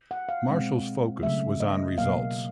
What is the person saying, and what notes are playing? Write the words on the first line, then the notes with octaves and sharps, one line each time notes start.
Marshall's focus was on results.
F#5
F5
B2 G#3 C4
C#3 F#3 A3 E5
D#5
B2 F#3 A#3 F5